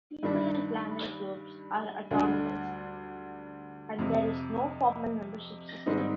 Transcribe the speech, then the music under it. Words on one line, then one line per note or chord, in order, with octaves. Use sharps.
People and Planet groups are autonomous and there is no formal membership system.
G2 D#3 G3 D4
D2 D3 G3 D4
F2 C3 F3
G#2 D#3 G3 C4 D#4